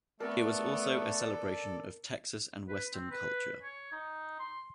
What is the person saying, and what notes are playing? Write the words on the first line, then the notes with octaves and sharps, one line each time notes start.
It was also a celebration of Texas and Western culture.
A3 B3 A4 A#4 D5
B4
C4
B4
C#5
D#4
C6